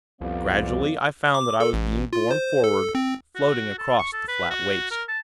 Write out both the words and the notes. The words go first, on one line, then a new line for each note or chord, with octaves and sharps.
Gradually, I found that I was being borne forward, floating across the flat waste.
C2 F2 B3 C4 D5 F5
D6
A4
A1
F4
C5
A4
C4
F#4
A4
C#6
A4
B4
F#4
A#4
A5